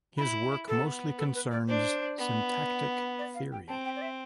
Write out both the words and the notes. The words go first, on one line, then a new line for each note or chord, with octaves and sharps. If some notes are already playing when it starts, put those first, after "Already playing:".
His work mostly concerns syntactic theory.
E4 B5
B3 A4
A4
B4
D5
D4 C5
B3
D5
F5
G5
C4 A5
G5
D5
E5